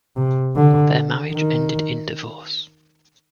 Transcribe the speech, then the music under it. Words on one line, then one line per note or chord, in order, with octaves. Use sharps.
Their marriage ended in divorce.
C3
D3
D#3